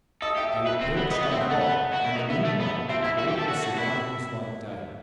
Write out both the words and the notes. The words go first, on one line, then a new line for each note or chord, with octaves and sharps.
They were perched on a rock, and the moonlight lit all their surroundings like day.
A4 D#5 D#6
G4 E5 E6
E5 E6
B4
C4
B3
B3 D#5 D#6
B3
E5 E6
C4
F#5 F#6
A3
B3
F#4
E4
D#4
B3 E5 E6
A3
B3
C4 E5 E6
E4 E5 E6
F#4 E5 E6
G4
A4
F#4
F#4
E4